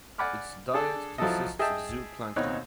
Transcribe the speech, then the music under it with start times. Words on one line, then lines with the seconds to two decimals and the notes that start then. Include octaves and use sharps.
Its diet consist of zooplankton.
0.18 D5 F#5 G#5 B5 D6 F6
0.74 D4 G#4 A4
1.18 F3 F#3 E4 A4 D#5
1.59 G#4 D#5 E5 G5 A5
2.36 D#2 B2 C4 D#4 C#5 F#6